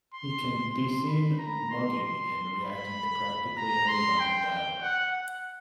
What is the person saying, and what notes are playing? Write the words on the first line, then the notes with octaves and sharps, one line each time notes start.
He can be seen mugging and reacting to practically every line of dialogue.
C6
C6
B5
A#5
C6
C6
B5
A#5
C6
G5
F#5
F#5